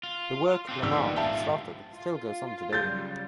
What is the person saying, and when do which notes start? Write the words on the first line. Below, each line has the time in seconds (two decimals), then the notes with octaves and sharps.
The work Lamarck started still goes on today.
0.03 F4
0.68 C4 D4 F4
0.82 A#1 D#3 B3 G4 E6
1.16 G#2 F4 G4 E5 A5
1.94 F4
2.73 C#3 F#3 G3 G6 A6